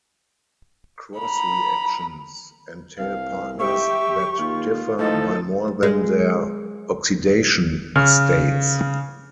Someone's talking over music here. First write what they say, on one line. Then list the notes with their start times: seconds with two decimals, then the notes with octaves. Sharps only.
Cross reactions entail partners that differ by more than their oxidation states.
1.19 A#5 B5
2.99 C2 F5
3.59 G4 E5 C#6
4.39 D#2 F4
4.99 A2 F3 D#4 A4
5.83 G#3
7.96 C#3 F6